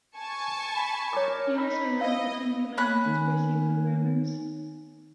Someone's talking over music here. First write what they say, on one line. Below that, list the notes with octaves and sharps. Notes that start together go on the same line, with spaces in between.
He also wrote "The Ten Commandments for C Programmers".
G#5 A5 C#6
B5
A#4 C#5 D6
D#4 B5
E4 D#5 F5
C#4 B5 F#6
D#3